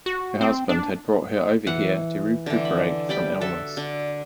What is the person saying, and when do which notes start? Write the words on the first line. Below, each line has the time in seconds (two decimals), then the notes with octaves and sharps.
Her husband had brought her over here to recuperate from illness.
0.06 F#4
0.41 C4
0.69 D4
1.67 E3 F#5
2.46 D3 E3
2.65 B5
3.09 G3 D5 G5 B5
3.41 F#4 A4 E5
3.77 D3